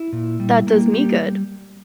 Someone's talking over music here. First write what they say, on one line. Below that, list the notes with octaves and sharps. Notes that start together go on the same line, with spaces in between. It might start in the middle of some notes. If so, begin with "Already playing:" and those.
That does me good!
Already playing: E4
A#2
G3
A#3
G3 G4